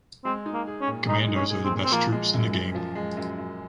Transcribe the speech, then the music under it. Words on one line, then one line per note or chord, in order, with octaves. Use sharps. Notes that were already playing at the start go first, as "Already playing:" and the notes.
Commandos are the best troops in the game.
G#3 C4
D#4
A#3
G#4
C#4
A#2
G#3 D#4
D#4
C#4
G#4
C4
A#2
C4
F3 A#3
G#3
F#2
F#2
F3
G#3
F#2
F#2